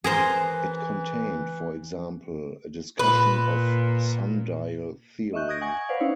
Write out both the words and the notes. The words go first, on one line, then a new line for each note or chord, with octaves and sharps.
It contained, for example, a discussion of sundial theory.
E3 G#4 A#4 C5
A#2 B4
D#5 E5 C#6 F#6 G6
D#6 G6 G#6 A#6 D7
F#5 G#5 C#6 G#6
B4 C5 D5 F5 F#5
C#4 D#4 E4 C#5 F5